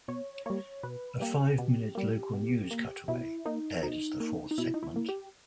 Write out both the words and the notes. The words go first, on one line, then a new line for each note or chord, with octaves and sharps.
A five-minute local news cutaway aired as the fourth segment.
B2 C#5
G3 A#3 C#5
B2 B4
G3 A#3 G4
B2
G3 A#3
B2
A#3
B2 E4
A#3 D#4
B2 D#4
A#3
D#4
B2 E4
D#4
E4
A#3
G4